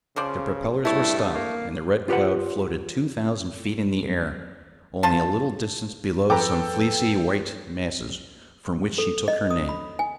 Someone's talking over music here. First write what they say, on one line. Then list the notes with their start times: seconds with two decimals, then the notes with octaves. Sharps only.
The propellers were stopped, and the Red Cloud floated two thousand feet in the air, only a little distance below some fleecy, white masses from which she took her name.
0.16 C#3 F3 C5 D5
0.85 G2 A3 E4 C#5
1.34 A#3
2.08 F4 G4 B4 C5 F#5
5.03 C#3 F4 A5
6.30 F2 A4 B4 G5 A#5 D6
8.98 A4
9.28 D#5
9.51 D#6
9.69 B5
9.99 G#5